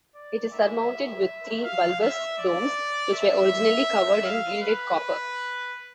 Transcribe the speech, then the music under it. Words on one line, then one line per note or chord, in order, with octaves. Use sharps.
It is surmounted with three bulbous domes, which were originally covered in gilded copper.
D5
E5
F5
E5
D5
E5
F5
B4